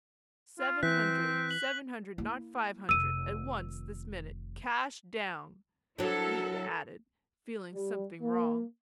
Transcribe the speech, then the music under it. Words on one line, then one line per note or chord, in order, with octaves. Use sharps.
"Seven hundred, seven hundred, not five hundred, at once, this minute, cash down!" Mitya added, feeling something wrong.
F4
E3 C4 F#6 B6
F#7
A#3 E4
F1 D#3 E6 D#7
F#3 D4 E4 A4 A#4
G3
A#3